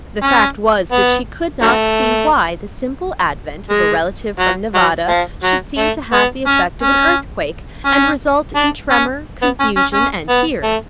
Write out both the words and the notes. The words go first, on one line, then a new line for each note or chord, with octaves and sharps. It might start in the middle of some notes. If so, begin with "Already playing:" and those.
The fact was, that she could not see why the simple advent of a relative from Nevada should seem to have the effect of an earthquake, and result in tremor, confusion, and tears.
C#4
B3
D3 F#3 A3
G#3
F#3
F#3
F3
F#3
A3
B3
C#4
C#4
C#4
D4
C#4
B3
C#4
C#4
C#4
B3
A3